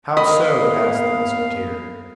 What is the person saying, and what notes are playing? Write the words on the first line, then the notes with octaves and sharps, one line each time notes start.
"How so?" asked the Musketeer.
D#2 B3 A#4 D#5 F5 B5 D#6 B6